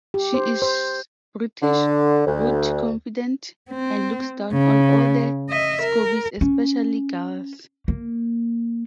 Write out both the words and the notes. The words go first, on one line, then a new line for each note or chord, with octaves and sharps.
She is British, rude, confident, and looks down on all the Scoobies, especially Giles.
G4
C5
C5
D3
D2
C4
C#3
D#5 E5
A#4
C#4
A#3